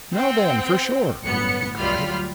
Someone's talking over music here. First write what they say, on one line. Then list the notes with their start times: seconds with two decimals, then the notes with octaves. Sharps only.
"Now, then, for shore," he cried.
0.16 C4 F#5 G5
1.22 G1 F#2 A2 B3 C#7
1.78 D2 F#3 G3 F4 B5 F6